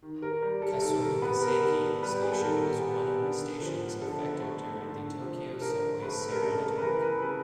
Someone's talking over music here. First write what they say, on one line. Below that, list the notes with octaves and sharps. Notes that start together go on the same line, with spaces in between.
Kasumigaseki Station was one of the stations affected during the Tokyo subway sarin attack.
D#3
A#4
G3
A4
D#3 A4
A#4
B3 B4
A#4
D#3 A#4
G3 B4
G4
G#4
A4
D#3 A#4
B3
D3
F3
D3 A4
A3
D3
F3
D3 A#4
A3 B4
A#4
C#3 A4
A#4
B4
E3 A#4
B4
C#3 B4